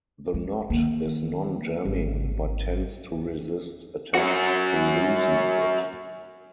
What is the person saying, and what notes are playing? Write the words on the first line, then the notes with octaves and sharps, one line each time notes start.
The knot is non-jamming but tends to resist attempts to loosen it.
G#3
D#3 A#3
G#1
F#2 F#4